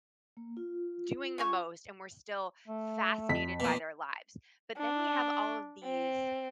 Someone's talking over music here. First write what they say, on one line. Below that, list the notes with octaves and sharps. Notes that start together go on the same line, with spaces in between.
doing the most and we're still fascinated by their lives, but then we have all of these
A#3
F4
C#3 G#5 C#6
A3
F2 B6
B2 F3 A#3
D4
C4